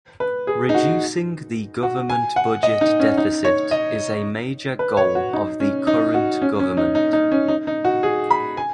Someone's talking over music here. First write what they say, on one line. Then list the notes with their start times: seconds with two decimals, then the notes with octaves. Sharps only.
Reducing the government budget deficit is a major goal of the current government.
0.20 B4
0.47 G#4
0.69 D#4
0.74 F#4
1.83 F#4
2.10 G#5
2.36 F#5
2.63 D#5
2.81 D#4
3.00 C#4
3.17 D#4
3.45 C#5
3.71 D#5
4.79 B4
4.97 C#5
5.15 F#4
5.33 D#4
5.60 C#4
5.87 D#4
6.14 F#4
6.42 C#4
6.60 C#4
6.77 D#4
6.95 D#4
7.13 D#4
7.32 C#4
7.48 D#4
7.67 D#4
7.85 F#4
8.03 G#4
8.31 B5
8.57 G#5